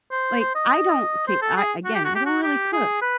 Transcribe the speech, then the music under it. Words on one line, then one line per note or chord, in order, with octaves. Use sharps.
like, I don't, okay I again, I don't really cook,
C5
C5
D#5
D#5
C5
A4
G#4
F#4
G4
F#4
G4
F#4
G4
G#4
B4